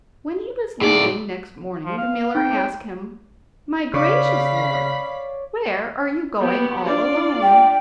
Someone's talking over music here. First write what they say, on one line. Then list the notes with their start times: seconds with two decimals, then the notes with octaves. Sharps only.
When he was leaving next morning the miller asked him: 'My gracious lord, where are you going all alone?'
0.81 A2 D#4 G#4 D5
1.85 F3
1.98 F5
2.35 C4 D#4 G5
2.51 C#5 D6
3.94 C#3 C#5 D5 F5 B5 B6
6.40 B3 G4
6.86 D4 F4 D5
7.43 G5